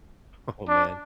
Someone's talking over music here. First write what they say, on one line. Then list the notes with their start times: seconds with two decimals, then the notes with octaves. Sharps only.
Oh, man.
0.68 D4